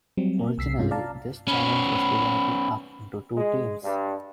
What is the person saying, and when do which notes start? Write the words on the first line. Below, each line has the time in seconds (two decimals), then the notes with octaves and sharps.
Originally this challenge was divided up into two teams.
0.17 F#3 G3 C4
0.39 A#3
0.58 C2 E6 B6 C7
0.78 G2 C3 C#4 F4
0.91 D5 F5 A5 A#5
1.48 B3 C#4 B5
3.36 G#3
3.83 G2